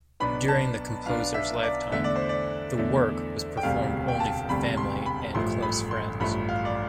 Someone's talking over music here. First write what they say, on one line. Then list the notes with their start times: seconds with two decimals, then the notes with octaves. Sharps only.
During the composer's lifetime, the work was performed only for family and close friends.
0.20 B1 B2 B3 D4 B5
0.48 A5
1.06 B1 B2 B3 D4 F5
1.34 E5
1.63 D5
1.91 E2 D3 A3 E5
2.04 D5
2.16 C5
2.29 D5
2.77 E2 D3 A3
3.57 G5
3.63 E1 D2 C3 G3 F5
4.08 G5
4.20 A5
4.49 E1 D2 C3 G3 B5
4.77 C6
5.06 B5
5.35 A1 G2 F3 A3 C6
5.62 B5
5.91 C6
6.20 A1 G2 F3 A3 B5
6.49 F5
6.65 D5